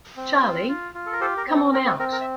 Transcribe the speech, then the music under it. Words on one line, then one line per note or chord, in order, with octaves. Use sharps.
Charley, come on out!
C4
F4
F4
F4
A4
A#4
G4 A4 C5
A#4
C4
A4
C4 A#4
A4
C4 A#4
A#4
E5